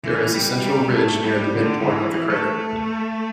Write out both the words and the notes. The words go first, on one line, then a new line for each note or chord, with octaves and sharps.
There is a central ridge near the midpoint of the crater.
E3
G3
G3
G3
A3
G3
D3
G3
E3
A3